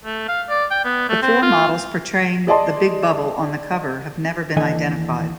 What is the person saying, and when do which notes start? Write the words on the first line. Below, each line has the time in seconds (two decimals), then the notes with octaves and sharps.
The four models portraying the Big Bubble on the cover have never been identified.
0.05 A3
0.28 F5
0.50 D5
0.71 G5
0.85 B3
1.09 A3
1.23 C4
1.42 F4
2.47 G#4 D5 D#5 A5 C6
4.56 D#2 E3 D4 A4 D#5 G#5